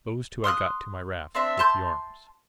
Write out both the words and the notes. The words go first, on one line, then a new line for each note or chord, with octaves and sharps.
Those two I got to my raft, with the arms.
C6 D#6 F6 F#6
C4 D4 E5
A5 C6 G6